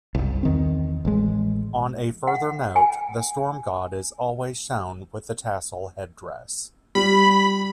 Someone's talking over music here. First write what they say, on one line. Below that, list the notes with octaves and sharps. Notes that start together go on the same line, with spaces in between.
On a further note, the Storm God is always shown with the tassel headdress.
F#1 C2
E2 D#3 C4
A1 G#3
F#5
G#5
G3 B5